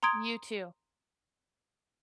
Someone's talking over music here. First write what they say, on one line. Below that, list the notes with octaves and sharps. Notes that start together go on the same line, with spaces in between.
You too.
A#5 C6 D#6 G#6 D7